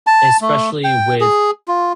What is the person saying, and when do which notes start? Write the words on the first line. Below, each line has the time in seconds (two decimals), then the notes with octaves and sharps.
especially with
0.07 A5
0.41 A3
0.84 G5
1.21 G#4
1.68 F4